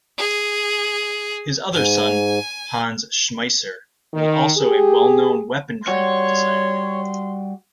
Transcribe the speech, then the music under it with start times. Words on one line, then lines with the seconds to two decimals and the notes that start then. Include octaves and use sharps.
His other son, Hans Schmeisser, was also a well-known weaponry designer.
0.18 G#4
1.73 G#2 G#5
4.14 D#3
4.57 G4 G#4
5.88 G3 F#4 C#5 C6